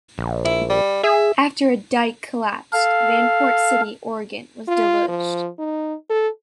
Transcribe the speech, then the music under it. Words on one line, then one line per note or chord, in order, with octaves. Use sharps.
After a dike collapsed, Vanport City, Oregon was deluged.
A#1
E4
G3
G#4 E5
A4 F5
F4
F3
D#4
A4